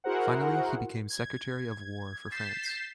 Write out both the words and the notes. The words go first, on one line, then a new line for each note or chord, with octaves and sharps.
Finally he became Secretary of War for France.
E4 F#4 G#4 A#4 C5 F#5
G#6
G6 A6 B6 C7 E7